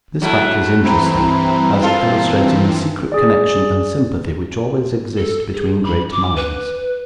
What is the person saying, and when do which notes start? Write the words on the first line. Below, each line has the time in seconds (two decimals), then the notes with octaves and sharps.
This fact is interesting, as illustrating the secret connection and sympathy which always exist between great minds.
0.22 F#3 A3 E4 F#6
0.84 G2 E3 C4 E5 A#5 B5
1.82 F4 A4 A#4 F5
3.12 G#4 D5
5.17 A4
5.54 G#4
5.84 B5
6.12 D6
6.36 B4